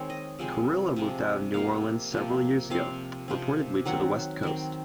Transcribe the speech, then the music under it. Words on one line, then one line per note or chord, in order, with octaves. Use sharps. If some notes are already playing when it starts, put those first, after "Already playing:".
Carrillo moved out of New Orleans several years ago, reportedly to the West Coast.
Already playing: D#3 G#3 C4 C#5
D#5
C3 F3 G#3 C4
C3 F3 G#3 C4
C3 F3 A#3 F5
C3 F3 A#3
C3 F3 C4 F5
C3 F3 C4
D#3 F#3 C4 F#5
D#3 F#3 C4